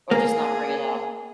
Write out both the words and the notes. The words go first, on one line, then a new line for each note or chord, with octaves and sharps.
Or, just not bring it up.
A#3 G#4